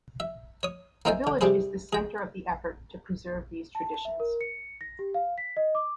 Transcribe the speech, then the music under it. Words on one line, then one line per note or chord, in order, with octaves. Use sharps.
The village is the center of the effort to preserve these traditions.
E5
C#5 D#6
A#3 C4 D#4 E5 G5 G#5
D3
C3 G3 C4 G#4 C5
G#4 G5
A5
E5
A#4
C#7
A#6
G4
F5
B6
D#5
D6